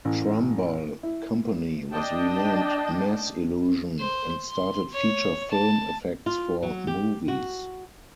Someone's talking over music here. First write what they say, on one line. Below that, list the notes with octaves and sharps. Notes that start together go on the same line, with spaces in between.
Trumbull Company was renamed Mass Illusion and started feature film effects for movies.
A1
E4
D4 D#5 G5 A5
C5
C6
C#5
A5
F4
F#3
G4
F#4